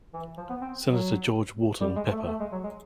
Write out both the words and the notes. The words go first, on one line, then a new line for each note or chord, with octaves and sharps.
Senator George Wharton Pepper.
E3
F3
B3
C4
F#3
G3
G#3
A3
A3
G#3
F#3
G#3